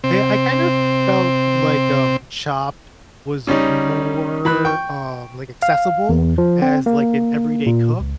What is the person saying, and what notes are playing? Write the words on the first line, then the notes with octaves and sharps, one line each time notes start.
I I kind of felt like, um, Chopped was more, uh, like, accessible as, like, an everyday cook,
C3 C4
C#3 G3 C#4 D#4
E3 B5 F#6
G5 C#6
F5
E2
F3
C4
A#3
A#2
C#2